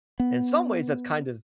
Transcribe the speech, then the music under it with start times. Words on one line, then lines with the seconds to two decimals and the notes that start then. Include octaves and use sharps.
In some ways, that's kind of, I
0.20 B3